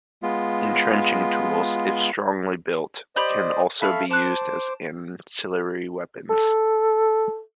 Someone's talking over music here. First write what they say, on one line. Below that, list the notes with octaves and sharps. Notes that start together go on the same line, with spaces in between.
Entrenching tools, if strongly built, can also be used as ancillary weapons.
G#3 B3 F4
G4 C5 D5 D#5 B5 G6
C#4 A4 E5 F5 B5
C5 A5 D6 F#6
A4